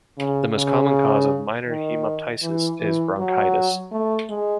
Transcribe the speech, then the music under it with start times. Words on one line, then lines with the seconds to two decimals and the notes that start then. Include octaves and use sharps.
The most common cause of minor hemoptysis is bronchitis.
0.18 C#3
0.56 C#3
1.68 D#3
2.43 E3
2.80 E3
3.18 F#3
3.92 A3
4.29 G#3